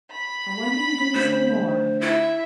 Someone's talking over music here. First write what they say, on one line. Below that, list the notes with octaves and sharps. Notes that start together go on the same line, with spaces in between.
"I wonder you didn't say more."
B5
D2 C5
E4 E5